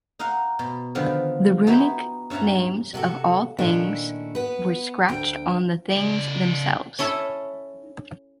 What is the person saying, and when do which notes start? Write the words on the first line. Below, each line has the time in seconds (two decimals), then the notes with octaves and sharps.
The runic names of all things were scratched on the things themselves.
0.19 D#4 A#4 D#5 F5 F#5
0.59 B2
0.95 D3 D#3 F3 B3 C4
1.67 B3 D#4 E4 F#4 E5 G5
2.30 G2 C#4 E5 F#5 A5 A#5
2.94 C3 F#4 A4
3.58 A#2 D#3 A3 C#4 D4 E4
4.35 B3 B4
5.09 D2 G5
5.91 C#3 D5
6.99 C#4 E4 A4